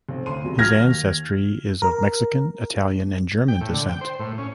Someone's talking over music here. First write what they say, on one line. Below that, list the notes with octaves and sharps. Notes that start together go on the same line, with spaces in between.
His ancestry is of Mexican, Italian and German descent.
B1 C4
D2 C6 D#7
E2 C3 F#3
F#3 F6 G#6 A#6
D#2
A#4
G5
A2
D3
G5
C5
A2
C#4